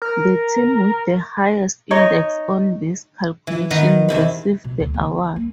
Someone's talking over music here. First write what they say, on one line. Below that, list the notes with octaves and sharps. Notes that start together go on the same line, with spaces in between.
The team with the highest index on this calculation received the award.
A#4
D#4 C#5 D#5
E3
D#3 B3 B4 A#5
E2 C3 B5
B2
D2
B3
B3
D#3
A#3